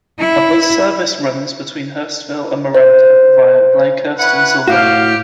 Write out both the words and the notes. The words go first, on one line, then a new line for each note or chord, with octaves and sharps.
A bus service runs between Hurstville and Miranda via Blakehurst and Sylvania.
E4
C5
C#4 E4 B4 F#5
A2 F#4 G4 F5